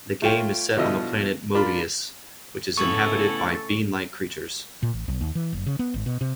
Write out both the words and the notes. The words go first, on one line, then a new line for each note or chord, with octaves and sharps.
The game is set on the planet Mobius, which is inhabited by bean-like creatures.
A3 F4 C#5 G5
B2 D3 F3 E4 D#5
D4 F4 A#4 D5 B5
A2 C#3 B3 E4 A4 C#6
A#2
A1
B1
D#2
E3
F#1
C#3
B3
G#1
B2
C3